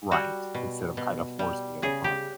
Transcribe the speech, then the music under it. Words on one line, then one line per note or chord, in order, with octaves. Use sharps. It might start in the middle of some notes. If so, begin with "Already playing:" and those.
Right. Instead of, kind of, forcing it upon them.
G3 F#4
B2
B2
G3
C#3 G#4
G4